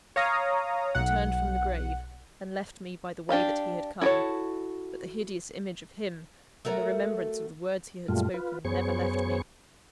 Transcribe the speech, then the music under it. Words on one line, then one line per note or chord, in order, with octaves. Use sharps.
He turned from the grave, and left me by the way that he had come; but the hideous image of him, and the remembrance of the words he had spoken, never left me.
C#5 F5 A#5 D#6
B1 F#5
D4 G4 F5 B5
E4 F#4 G#4 A4 C#5
A3 F#4 A#4
F#2 A#2 G3 A3 F4
F4 B4
F#2 B3 G#4 C5 C#5 C#6